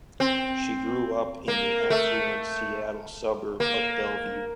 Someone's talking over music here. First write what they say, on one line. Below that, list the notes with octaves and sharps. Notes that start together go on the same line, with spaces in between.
She grew up in the affluent Seattle suburb of Bellevue.
C4
A#3
A3
A#3